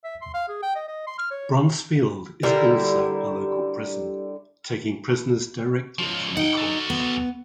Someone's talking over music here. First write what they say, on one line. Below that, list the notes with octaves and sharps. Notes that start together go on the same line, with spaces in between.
Bronzefield is also a local prison, taking prisoners directly from the courts.
E5
C6
F5
G#4
G5
D#5
D#5
C6
F6
C#5
D3 G3 E4 A#4
C#2 F3
D#4 F#5 G5
F#4 A4
B3